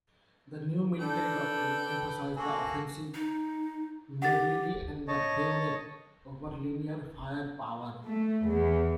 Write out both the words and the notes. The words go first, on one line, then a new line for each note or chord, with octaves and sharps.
The new mililary doctrine emphasised the offensive, mobility and the bayonet, over linear firepower.
D4 A4 B4 G5
A#3 F#4 A4 G#5
D#4
G4 F#5 A6
C#5 D#5 A5
A3
E2